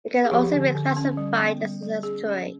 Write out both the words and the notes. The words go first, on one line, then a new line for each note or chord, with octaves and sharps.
It can also be classified as an estuary.
G#4
F3 G4
D3
D3
C#4
G3
B3
G3
G3
C#4 G#4
C#4